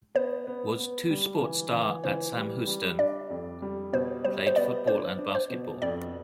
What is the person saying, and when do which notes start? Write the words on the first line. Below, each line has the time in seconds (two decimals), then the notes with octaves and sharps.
Was two sport star at Sam Houston played football and basketball.
0.15 B3 C5
0.47 B3
0.79 B3
1.10 G3
1.41 E3
1.72 E3
2.04 E3 C5
2.36 G3
2.67 G3
2.99 D4 D5
3.30 F2
3.62 G3
3.93 B2 C5
4.25 G3 C5
4.47 C5
4.56 B3 D5
4.87 D4 C5
5.19 D4
5.35 C5
5.50 B2
5.82 F2 D5